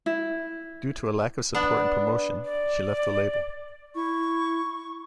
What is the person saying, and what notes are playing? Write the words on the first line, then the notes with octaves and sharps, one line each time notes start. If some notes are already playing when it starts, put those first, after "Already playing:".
Due to a lack of support and promotion, she left the label.
E4
B3 D4
D5
E4 C#6